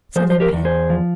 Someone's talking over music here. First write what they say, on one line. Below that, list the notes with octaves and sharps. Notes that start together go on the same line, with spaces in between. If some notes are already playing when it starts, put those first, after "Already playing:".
Silly pet!
F3 G#4 C5
C5
G4 A#4
E2
G#4 C5
F3